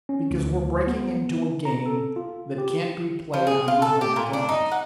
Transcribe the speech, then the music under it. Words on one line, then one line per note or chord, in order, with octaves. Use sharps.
Because we're breaking into a game that can't be played on the home grounds.
C#4
D2
B3
A#5
A4
F4
G4
F3
G#4
F4
A4
G4
A#2
D4
D#4
F#5